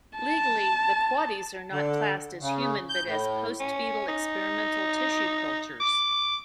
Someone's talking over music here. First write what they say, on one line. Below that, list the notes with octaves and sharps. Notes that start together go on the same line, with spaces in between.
Legally, the Quaddies are not classed as human but as "post-fetal experimental tissue cultures".
A5
D3
C#3
G6
A2
C#4
D#4
D6